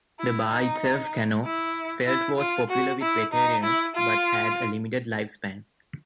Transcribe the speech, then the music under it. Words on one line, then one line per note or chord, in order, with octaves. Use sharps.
The bar itself Cano felt was popular with veterans but had a limited lifespan.
E4
D#4
E4
E4
F4
F#4
E4
D#4
E4
F4